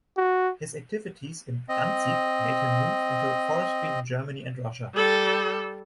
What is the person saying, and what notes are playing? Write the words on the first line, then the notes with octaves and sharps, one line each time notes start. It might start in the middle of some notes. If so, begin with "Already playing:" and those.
His activities in Danzig made him move into forestry in Germany and Russia.
F#4
C4 D#5
G3 A4